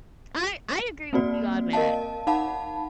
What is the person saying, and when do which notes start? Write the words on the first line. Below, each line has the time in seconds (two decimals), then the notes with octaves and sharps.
I I agree with you on that,
1.13 A#3 C4 F#4 D5
1.73 A#4 D#5 F5 A5
2.27 D#4 F5 F#5 A5 B5